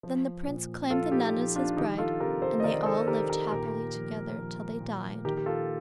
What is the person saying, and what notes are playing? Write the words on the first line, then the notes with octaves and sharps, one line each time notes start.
Then the prince claimed the nun as his bride, and they all lived happily together till they died.
F3
A#2
F3 F4 A4
D#4 G4
F3
D4 F4
D#3 D#4 G4
F4 A4
C3 G4 A#4
A4 C5
D#5
D#3 A#4 D5
A4 C5
D#3 G4 A#4
G4 A#4
A#2 G4 A#4
F3
F3
A#2
D#3 G4 A#4
G4
F4 A4